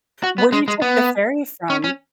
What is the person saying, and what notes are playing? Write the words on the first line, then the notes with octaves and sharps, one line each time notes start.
Where do you take the ferry from?
F#4
B3
G#3
G#3
B3
C#4
C#4